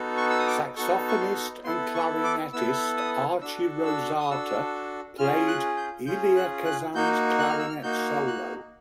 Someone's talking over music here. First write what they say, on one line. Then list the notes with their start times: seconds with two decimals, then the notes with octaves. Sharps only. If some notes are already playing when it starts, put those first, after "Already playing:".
Saxophonist and clarinetist Archie Rosate played Elia Kazan's clarinet solos.
Already playing: B3 D#4 F#4 A4
0.17 C#6
0.30 E6
0.39 D#6
0.47 D6
0.76 B3 D#4 F#4 A4 C#6
1.09 C#6
1.21 C6
1.65 B3 E4 A4 C6
1.94 C#6
2.23 D6
2.53 B3 E4 A4 E6
2.97 D#6
3.41 D4 F#4 A4 E6
3.85 E6
4.20 D#6
4.30 D4 F#4 A4 E6
5.18 C#4 F4 G#4 F6
5.48 F#6
5.77 G6
6.07 C#4 F4 G#4 G6
6.36 F#6
6.65 F#6
6.95 A#3 D#4 F#4 G6
7.39 F#6
7.49 F6
7.59 E6
7.69 F6
7.83 A#3 D#4 F#4 G6
8.27 F#6